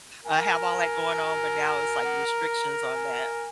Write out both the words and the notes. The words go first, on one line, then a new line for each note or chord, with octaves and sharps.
uh, have all that going on, but now it's, like, restrictions on that.
A#4 G#5
F#5
A#5
A#5
A#5
G#5